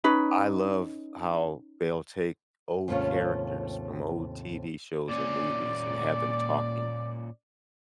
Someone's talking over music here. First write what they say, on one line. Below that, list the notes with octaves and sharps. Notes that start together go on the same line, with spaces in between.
I love how they'll take old characters from old TV shows or movies and have them talking
C#4 D#4 B4
D#2 G#2 C3 A3 C#4 F4
A#2 C#4 D5